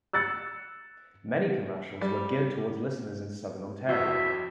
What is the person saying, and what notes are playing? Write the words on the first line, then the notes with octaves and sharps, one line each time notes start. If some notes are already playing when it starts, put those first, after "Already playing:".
Many commercials were geared towards listeners in Southern Ontario.
E6 F#6 A6 C#7
G3
G1 F2 E4 F#4 E5